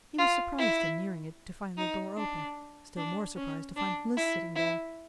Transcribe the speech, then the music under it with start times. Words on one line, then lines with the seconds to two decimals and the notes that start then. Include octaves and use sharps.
He was surprised in nearing it to find the door open--still more surprised to find Mliss sitting there.
0.18 F4
0.58 E4
1.77 D#4
2.17 D4
2.97 D4
3.37 C#4
3.76 D4
4.16 E4
4.56 E4